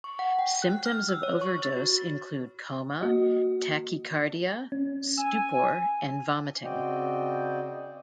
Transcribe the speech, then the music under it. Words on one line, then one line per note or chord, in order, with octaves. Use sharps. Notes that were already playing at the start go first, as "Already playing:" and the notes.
Symptoms of overdose include coma, tachycardia, stupor, and vomiting.
C#6
F#5
G5
F#6
F6
E6
C#5
C#6
A6
F#4
A#3 F#4 D#5
C#4
G#5 E6
C#3 C4 F#4 D5 D#5 G5